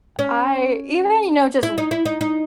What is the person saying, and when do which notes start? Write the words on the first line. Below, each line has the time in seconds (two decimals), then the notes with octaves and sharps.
I, even, you know just
0.19 C#4
1.63 E4
1.78 D#4
1.91 E4
2.06 D#4
2.21 D#4